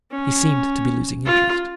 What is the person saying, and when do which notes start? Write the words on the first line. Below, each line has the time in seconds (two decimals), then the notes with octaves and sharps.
He seemed to be losing interest.
0.12 C#4
1.25 F4